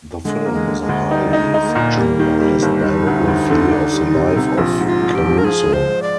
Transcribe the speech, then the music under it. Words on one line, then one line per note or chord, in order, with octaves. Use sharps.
The film is a highly fictionalized biography of the life of Caruso.
D3 G#3
A#3
G#3
D3
G#3
D2
G3 D#4
D#4
G#3
D#4
G#3
A#3
A#2
G3 A#3
D#3
G3
G1
G3 D#4
D2
D2
D3
D4
G3
C3
C3
A#1 F4
G#2
F4
G#2
G4
F3
A#4
F3 G#4
G#3
C5
G#3
D5